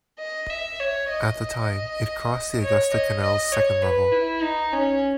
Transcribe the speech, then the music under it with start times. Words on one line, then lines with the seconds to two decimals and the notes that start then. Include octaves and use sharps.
At the time, it crossed the Augusta Canal's second level.
0.19 D#5
0.50 E5
0.80 C#5
1.10 D#5
2.61 C#5
2.91 D#5
3.22 D#5
3.52 C#5
3.82 B4
4.12 E4
4.43 D#4
4.72 C#4